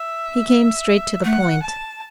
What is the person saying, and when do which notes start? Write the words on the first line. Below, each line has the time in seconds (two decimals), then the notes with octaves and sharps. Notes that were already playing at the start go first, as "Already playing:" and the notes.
He came straight to the point.
Already playing: E5
1.24 A3 F#5
1.62 A5